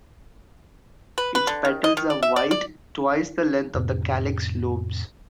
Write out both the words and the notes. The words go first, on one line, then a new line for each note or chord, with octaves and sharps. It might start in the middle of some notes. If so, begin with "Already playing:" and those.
Its petals are white, twice the length of the calyx lobes.
B4
B4
D3
D#3
D#5
D#3
D5
E5
D5
D5
F2 A2 C3